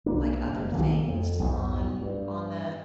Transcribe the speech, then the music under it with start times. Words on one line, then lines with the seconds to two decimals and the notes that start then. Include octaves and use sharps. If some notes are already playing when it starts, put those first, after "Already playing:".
like other things on on that
0.06 B1 A#3 D4
0.47 F#1
0.72 B1 D#3 A#3
1.08 F2
1.39 B1 F2 G#2
2.01 G2